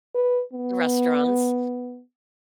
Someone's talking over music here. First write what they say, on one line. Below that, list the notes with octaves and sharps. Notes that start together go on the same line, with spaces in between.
The restaurants.
B4
B3